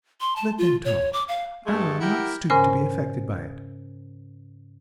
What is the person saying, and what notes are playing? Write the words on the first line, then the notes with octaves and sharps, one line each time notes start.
Let them talk--I will not stoop to be affected by it.
C6
A5
F4
C#5
D6
F5
G2 G#3 A3
E4 G4 A#4 F#5
G#2 C#3 C#4 A#4 C5 G#5